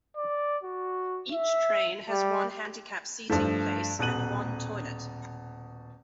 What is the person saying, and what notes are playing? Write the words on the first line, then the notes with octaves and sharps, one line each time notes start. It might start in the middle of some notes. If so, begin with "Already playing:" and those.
Each train has one handicap seating place and one toilet.
D5
F#4
E5
G3
G2 F3 A3
D#1 B2 F#6 D#7 F#7